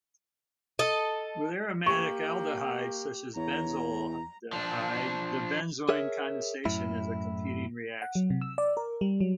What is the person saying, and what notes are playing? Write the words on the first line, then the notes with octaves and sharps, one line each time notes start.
With aromatic aldehydes such as benzaldehyde, the benzoin condensation is a competing reaction.
A4 D#5
A#3 G4 C#6
E2 C#5 A#5
F3 D4
G#4 A#4 C#5 E5
F#2 A2 E4
F#5
F#3
C3
E6
D5
A#4
G3
F#3